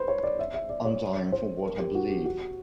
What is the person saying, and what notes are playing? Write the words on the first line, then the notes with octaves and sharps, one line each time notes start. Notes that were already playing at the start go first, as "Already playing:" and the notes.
I'm dying for what I believe.
Already playing: B4 C5
C#5
D5
E5
E5
D5
C#5
C5
A#4
G4
F#4
G4
F#4